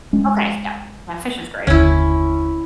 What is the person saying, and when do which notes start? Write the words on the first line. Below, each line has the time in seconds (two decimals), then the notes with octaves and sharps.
Okay, yep. Yeah, fish is great.
0.13 G#3 C#4
1.67 F#1 D#2 D3 C#4 E4